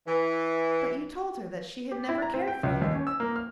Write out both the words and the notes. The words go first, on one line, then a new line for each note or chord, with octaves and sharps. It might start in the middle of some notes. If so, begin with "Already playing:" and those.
"But you told her that she had never cared for you."
E3
G4
E4
A#5
C4
G5
C#2
D#2
C#4
E6
A#3
F6